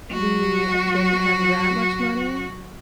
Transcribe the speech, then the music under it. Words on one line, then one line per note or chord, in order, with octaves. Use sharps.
we didn't have that much money,
F#3 F#4